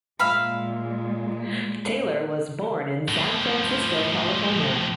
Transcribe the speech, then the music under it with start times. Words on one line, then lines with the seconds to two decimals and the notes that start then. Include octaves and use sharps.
Taylor was born in San Francisco, California.
0.19 A#2 G#3 E5 F5 B5
3.08 A2 F3